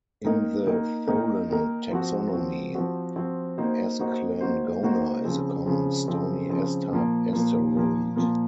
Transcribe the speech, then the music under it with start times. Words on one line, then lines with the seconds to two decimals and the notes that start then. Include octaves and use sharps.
In the Tholen taxonomy, "Esclangona" is a common stony S-type asteroid.
0.24 D#3 A#3 D#4 A#4
0.66 D#3 A#3 D#4 A#4
1.07 D#3 A#3 D#4 A#4
1.49 D#3 A#3 D#4 A#4
1.91 F3 C4 F#4
2.32 F3 C4 F#4
2.75 F3 C4 F#4
3.16 F3 C4 F#4
3.58 D#3 A#3 D#4 F#4 C5
3.99 D#3 A#3 D#4 F#4 C5
4.41 D#3 A#3 D#4 F#4 C5
4.83 D#3 A#3 D#4 F#4 C5
5.25 C#3 F3 C4
5.66 C#3 F3 C4
6.08 C#3 F3 C4
6.49 C#3 F3 C4
6.92 A#2 F3 A#3
7.33 A#2 F3 A#3
7.75 A#2 F3 A#3
8.16 A#2 F3 A#3